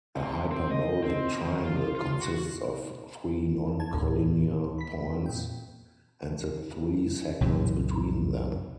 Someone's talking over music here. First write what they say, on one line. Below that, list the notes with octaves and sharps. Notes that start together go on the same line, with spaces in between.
A hyperbolic triangle consists of three non-collinear points and the three segments between them.
C3
C4
D#5
C4
B2
D#3
F4
F4
F#4
A5 G#6
D2 A2 D3
B5 B6
A#2 G5
C2 F#2 A#2 C#3